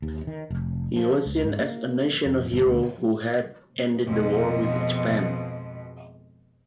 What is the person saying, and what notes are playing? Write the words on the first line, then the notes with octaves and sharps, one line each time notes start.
He was seen as a national hero who had ended the war with Japan.
D#2
D#3
F1
F3
C#2
G#2
A#3
F2
G1
D2
F2 B2 G#3